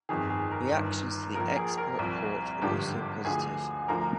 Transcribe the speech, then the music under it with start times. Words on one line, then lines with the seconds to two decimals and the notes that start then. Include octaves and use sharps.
Reactions to the Xbox port were also positive.
0.09 G1 F2 D#3 G#4
0.30 G#4
0.51 A#4
0.72 G1 G2 D#3
1.35 A#1 A#2 F3 A#4
1.56 G#4
1.78 A#4
1.99 C2 A#2 F3
2.61 G#1 G2 D3 F3 G4 G5
3.25 D2 D3 F3 G#4 G#5
3.88 D2 D3 F3 A#4 A#5